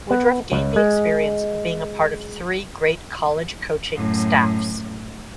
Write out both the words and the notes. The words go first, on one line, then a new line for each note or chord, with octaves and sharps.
Woodruff gained the experience of being a part of three great college coaching staffs.
B3
C#2
G#3
F#2 A2